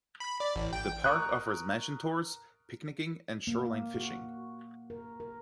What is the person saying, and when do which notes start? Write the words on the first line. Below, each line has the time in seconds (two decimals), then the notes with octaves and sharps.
The park offers mansion tours, picnicking, and shoreline fishing.
0.20 B5
0.40 D5
0.56 A1
0.73 G5
1.04 A#4 C#6 D#6 F#6
3.47 A#3
3.94 F#4
4.90 A#4
5.20 A#4